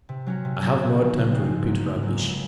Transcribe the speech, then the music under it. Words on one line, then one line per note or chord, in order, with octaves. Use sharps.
I have no time to repeat rubbish.
C3
F#3 C#4 F#4
C3
F#3 C#4 F#4
C#3
F3 C4 D#4 F#4
C#3
F3 C4 D#4 F#4
G#2
F#3 A#3
G#2
F#3 A#3
C#2